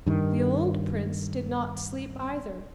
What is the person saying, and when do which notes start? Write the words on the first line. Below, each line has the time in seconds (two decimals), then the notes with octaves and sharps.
The old prince did not sleep either.
0.07 G2 D#3